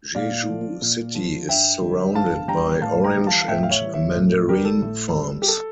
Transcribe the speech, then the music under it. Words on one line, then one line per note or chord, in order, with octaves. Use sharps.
Jeju City is surrounded by orange and mandarin farms.
A#2 D5 F5
F3
A#2
F3
G2 E5 G5
D3 G3
G2 F5 A5
D3 G3 G5 A#5
A2 F5 A5
G5 A#5
E3 G3
F5 A5
F5
A2 E5 G5
F5
C#5 E5
E3 G3
C#5 E5
A2
G3 G4 A#4
A4
A2
G3
G4
A4